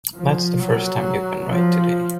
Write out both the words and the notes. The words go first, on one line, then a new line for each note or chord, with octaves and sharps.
That's the first time you've been right today.
F3
F#3
F3